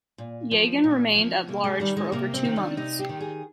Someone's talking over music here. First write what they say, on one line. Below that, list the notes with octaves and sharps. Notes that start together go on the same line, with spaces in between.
Yagan remained at large for over two months.
A#2
F3
A#2
F3
C3 A#3
G#3
D#3 G3
G#3
C3 A#3
C4
D#3
D4
C3 D#4
G4
D#3
G#4